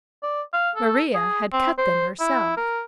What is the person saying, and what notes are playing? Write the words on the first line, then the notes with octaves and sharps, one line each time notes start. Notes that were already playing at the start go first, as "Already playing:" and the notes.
Maria had cut them herself.
D5
F5
A4
G#4
C4
C5
E4
A#4